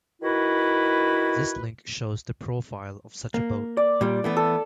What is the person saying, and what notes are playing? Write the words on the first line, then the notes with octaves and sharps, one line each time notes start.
This link shows the profile of such a boat.
D#3 E4 F#4 B4
A#3
D5
A#2 G3
E3 A3 B3
A4